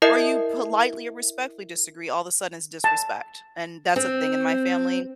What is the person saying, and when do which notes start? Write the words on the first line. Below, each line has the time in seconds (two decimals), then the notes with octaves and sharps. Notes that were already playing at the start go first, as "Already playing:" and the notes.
or you politely or respectfully disagree, all of a sudden it's disrespect, and that's a thing in my family
0.02 E4 A#4 D#5 E5 G6 C7
2.84 A5
3.96 C4